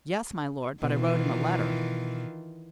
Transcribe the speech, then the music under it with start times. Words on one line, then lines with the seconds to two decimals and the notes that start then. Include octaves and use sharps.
"Yes, my lord; but I wrote him a letter."
0.83 B2 D#3 E3 F4